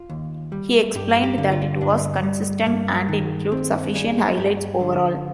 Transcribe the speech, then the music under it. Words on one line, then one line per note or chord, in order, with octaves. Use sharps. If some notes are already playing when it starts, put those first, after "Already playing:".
He explained that it was "consistent and includes sufficient highlights" overall.
Already playing: F4
D#2
G3
G2 G4
G4
D3
F4
G2 D4
G3
G2 A#3
D#3
G2 C4
G3 G#4
G2 G4
D3